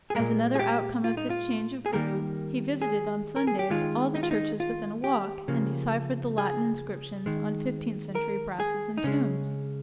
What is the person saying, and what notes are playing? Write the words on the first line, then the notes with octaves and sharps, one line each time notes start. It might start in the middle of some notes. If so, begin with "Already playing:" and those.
As another outcome of this change of groove he visited on Sundays all the churches within a walk, and deciphered the Latin inscriptions on fifteenth-century brasses and tombs.
G#4
A#2 G#3 A#4
G#4
G4
F4
D#4
F4
G#4
D#3 G3 A#3 A#4
G#4
A#4
G#4
G4
D#3 G#3 F4
D#4
F4
D#4
F4
G4
C#3 F3 A#3
G#4
D#3 G#3
A#4
G#4
D#4
C#3 G#3 C#4